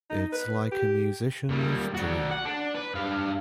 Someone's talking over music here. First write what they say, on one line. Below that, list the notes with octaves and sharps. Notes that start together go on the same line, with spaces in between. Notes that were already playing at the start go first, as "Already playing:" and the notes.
It's like a musician's dream.
D#4
B4
G4
A#2 G3
F#4 D5
F#5
D4
B4
G2 F5